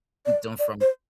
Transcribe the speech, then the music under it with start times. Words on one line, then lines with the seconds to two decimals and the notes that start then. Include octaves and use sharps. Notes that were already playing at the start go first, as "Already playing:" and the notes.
done from
0.26 D5
0.59 D5
0.81 C5